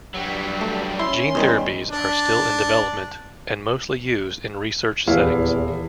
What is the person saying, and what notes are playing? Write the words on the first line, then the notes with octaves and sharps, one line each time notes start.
Gene therapies are still in development and mostly used in research settings.
G2 F#3 G3
A3
C#4 E4 C6
E2 D#3 G3
D4
D#1 E2 E4 F5